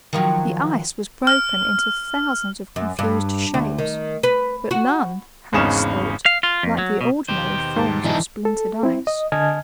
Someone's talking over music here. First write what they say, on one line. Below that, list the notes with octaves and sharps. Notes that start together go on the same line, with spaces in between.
The ice was broken into thousands of confused shapes, but none, Hans thought, like the ordinary forms of splintered ice.
D#3 F3 F#3
F6
F#2
G2
D2
D#3
B4
F#4
G#1 E2 C#3 C#4 D#4 E7
F5
F4
F2
F#3
B2
D#2 B2 D#3 G4 C5
G#2 A5
C3 E3 D4 D#4
A4
C4 E4
D#5
D3 D#5 G#5 A5 F6 G#6